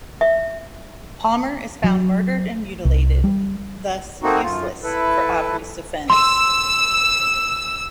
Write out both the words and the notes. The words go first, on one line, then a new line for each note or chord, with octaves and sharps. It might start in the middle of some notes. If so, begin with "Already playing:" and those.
Palmer is found murdered and mutilated, thus useless for Aubrey's defense.
E5
F#3
C2
G3
A3 A#3 C4 D#4 F#4
F#2 F4
E4 A4 B4
C6 E6